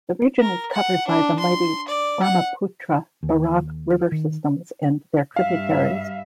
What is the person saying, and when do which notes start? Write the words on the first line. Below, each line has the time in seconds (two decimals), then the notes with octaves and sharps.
The region is covered by the mighty Brahmaputra-Barak river systems and their tributaries.
0.41 A#4
0.72 F#5
1.08 D4
1.39 C6
1.88 D5
2.23 F#5
3.23 D#2
4.12 D#3
5.36 G2 G3 E5 F5